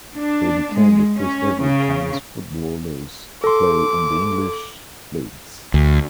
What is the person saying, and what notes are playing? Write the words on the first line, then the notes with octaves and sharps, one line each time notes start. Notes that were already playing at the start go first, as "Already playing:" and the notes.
They became the first ever Chinese footballers to play in the English leagues.
D4
G#3
C#4
C#3
A4 C6 D6
D2